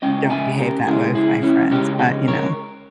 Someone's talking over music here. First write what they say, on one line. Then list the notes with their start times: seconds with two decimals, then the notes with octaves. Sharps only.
don't behave that way with my friends, but, you know.
0.02 C#3 G#3 C#4 D#5 G5
0.30 E5 G#5
0.59 G4 A#4
0.87 C#3 G#3 C#4 E4 G#4
1.15 E4 G#4
1.43 C#4 E4
1.71 C#3 G#3 C#4 D#4 G4
1.99 D#4
2.28 A#4 C#5